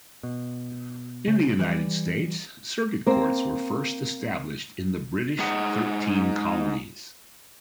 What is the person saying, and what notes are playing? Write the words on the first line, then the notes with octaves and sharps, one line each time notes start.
In the United States, circuit courts were first established in the British Thirteen Colonies.
B2
C#3
E3 G3
A#3 C4
G#3 D#4 G#4 F#5